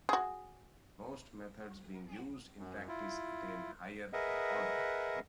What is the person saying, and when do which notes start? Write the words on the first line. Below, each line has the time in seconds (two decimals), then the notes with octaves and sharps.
Most methods being used in practice attain higher order.
0.09 F#4 G#4
2.59 F#2
2.88 E4 F4
4.13 G#4 A#4 B4 D#5 E5 F#5